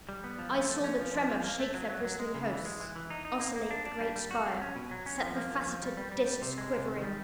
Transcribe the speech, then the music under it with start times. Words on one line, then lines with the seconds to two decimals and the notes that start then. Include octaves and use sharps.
I saw the tremor shake their bristling hosts, oscillate the great spire, set the faceted disks quivering.
0.09 G3
0.24 B3
0.39 F3
0.53 A3
0.69 F3
0.84 C#4
0.99 F3
1.14 F3
1.29 F3
1.44 A#3
1.59 A3
1.74 F#3
1.90 F#3
2.05 F#3
2.19 G#3
2.34 C#3
2.50 E3
2.65 G#3
2.80 E3
2.96 E3
3.10 D#4
3.25 D#4
3.40 A#3
3.56 A#3
3.71 D4
3.86 D4
4.01 G3
4.16 G3
4.31 F#4
4.46 C4
4.62 C#4
4.76 B2
4.91 F#3
5.06 C#4
5.22 F3
5.37 A#3
5.51 F3
5.67 F3
5.82 G3
5.97 G3
6.12 G3
6.27 G3
6.42 C3
6.58 G#3
6.72 C3
6.88 D#3
7.03 G3